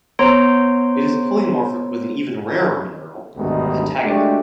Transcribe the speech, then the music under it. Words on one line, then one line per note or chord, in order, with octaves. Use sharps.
It is polymorphic with the even rarer mineral, pentagonite.
B3 C5 C#5 A#5 C6 D7
G#1 D2 G2 B2 D#4
G#3 A3 D4 F#4 G4